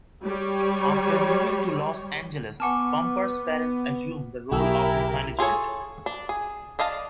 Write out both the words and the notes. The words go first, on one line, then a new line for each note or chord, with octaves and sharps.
After moving to Los Angeles, Bumper's parents assumed the role of his management.
G3 C#5
B3 F#5 G#5 A5 C#6 D6 F6
B1 E4 G4 G#4 A#4 E6
F4 G#4 A4 C#5
D4
G#4
D4 D#5 F5 A5